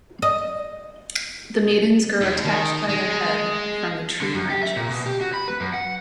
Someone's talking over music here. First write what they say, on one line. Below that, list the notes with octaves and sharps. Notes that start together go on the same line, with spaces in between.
The maidens grow attached by their head from the tree branches.
D#5
D#2
D#3
G#3
D3
F#2
G4
E5
A#2
B2
G4
F#4
B5
B4
F#2
F#5